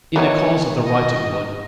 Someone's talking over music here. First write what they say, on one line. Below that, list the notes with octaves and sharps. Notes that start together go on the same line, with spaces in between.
'In the cause of the right it would.
D#3 E3 B3 D#4 C#5
D#5